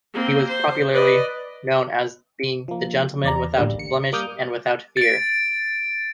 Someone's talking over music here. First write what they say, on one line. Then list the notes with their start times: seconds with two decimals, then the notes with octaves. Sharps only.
He was popularly known as being "The gentleman without blemish and without fear".
0.14 A#3 C4
0.48 C5
0.93 B4 D5 D#5
2.68 F3 A#3
3.24 E2 D5 A#5
3.57 A1 D2 D3 G3 A#3
3.79 C#7
4.12 G3 A#3 D6 D#6 F6 G6
4.97 A6 D7